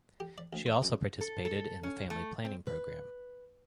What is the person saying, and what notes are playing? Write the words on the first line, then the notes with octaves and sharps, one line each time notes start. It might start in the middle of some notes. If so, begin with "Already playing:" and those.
She also participated in the family planning program.
G4
D5
D2
C5
F#2
A4
A4
C#4
A3
C4
B4